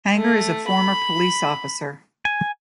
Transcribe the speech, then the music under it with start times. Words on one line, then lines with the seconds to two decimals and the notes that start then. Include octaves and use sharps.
Hanger is a former police officer.
0.15 A3
0.67 B5
2.25 G#5